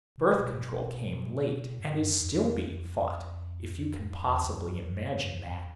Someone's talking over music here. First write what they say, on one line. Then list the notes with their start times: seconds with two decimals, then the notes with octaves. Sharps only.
Birth control came late and is still being fought--if you can possibly imagine that.
0.18 C3
0.37 B2
1.79 G2
2.01 F#2
2.21 F2
2.94 F#2
3.02 F2
4.23 E2
4.44 F2
4.65 F#2
4.85 F#2
5.15 F#2
5.46 F2